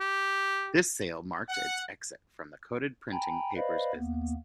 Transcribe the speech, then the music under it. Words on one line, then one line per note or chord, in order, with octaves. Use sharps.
This sale marked its exit from the coated printing papers business.
G4
F#5
G5 G#5 A#5 B5
B4 C5 D5 D#5 F5 B5
D#2 A#3 B3